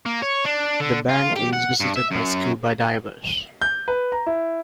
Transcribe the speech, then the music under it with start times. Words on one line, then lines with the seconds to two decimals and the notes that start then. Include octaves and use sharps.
The Bank is visited by scuba divers.
0.06 A#3
0.22 C#5
0.45 D4
0.80 D3
1.09 F4
1.36 G4
1.53 F#5
1.80 G2
1.96 E5
2.11 F#2
3.62 G6
3.88 B4
4.12 A#5
4.27 E4